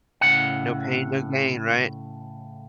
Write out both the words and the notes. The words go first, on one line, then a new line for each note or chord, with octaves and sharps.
No pain, no gain, right?
A2 C#3 F#5